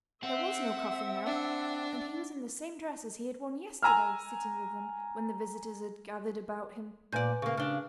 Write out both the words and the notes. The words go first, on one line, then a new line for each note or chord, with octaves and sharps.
There was no coffin now, and he was in the same dress as he had worn yesterday sitting with them, when the visitors had gathered about him.
C4 E5 F#5
D4
G#5 A#5 E6 F6
A#2 B4 D5 G#5 G6
C#3 A#3 C#6
C#3 D4 F6 G7